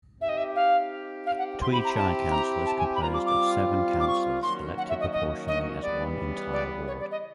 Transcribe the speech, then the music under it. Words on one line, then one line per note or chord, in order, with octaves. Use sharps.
Tweed Shire Council is composed of seven Councillors elected proportionally as one entire ward.
C4 D#4 G4 E5
D#5
E5
F5
F5
F#5
C4 E4 G4 C6
B5
A#5
A5
A#5
A5
G#5
B5
G3 C4 F4 A#5
D6
D6
D6
C#6
D#3 F#3 A#3 C#4 F#4 C6
F#5
E5
D#5
D#5
D#5
C#3 E3 G3 B3 D5
D5
C#5
D5
D#5